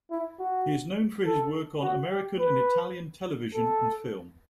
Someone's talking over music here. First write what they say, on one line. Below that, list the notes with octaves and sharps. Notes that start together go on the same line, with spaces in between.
He is known for his work on American and Italian television and film.
E4
F#4
A4
F#4
G4
B4
A4